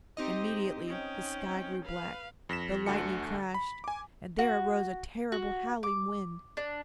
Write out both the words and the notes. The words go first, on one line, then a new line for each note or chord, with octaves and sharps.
Immediately the sky grew black, the lightning crashed, and there arose a terrible, howling wind.
C4 D#4 G4 C5 D#5
C#4 G5
B4 F5
F2 A#6 B6 E7
D2 D3 F#4 A5 C#7
B5
G#5 D6
F#4
F#4
D6
D4